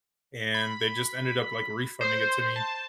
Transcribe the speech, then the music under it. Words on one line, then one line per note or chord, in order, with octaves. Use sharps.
and they just ended up, like, refunding it to me
B5
C5
A5